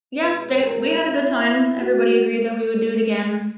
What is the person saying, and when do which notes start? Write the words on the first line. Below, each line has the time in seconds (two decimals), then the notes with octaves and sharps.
Yet they we had a good time. Everybody agreed that we would do it again.
0.22 B2 G#3 C#4 B4
0.61 A#4
1.01 E4
1.81 F#4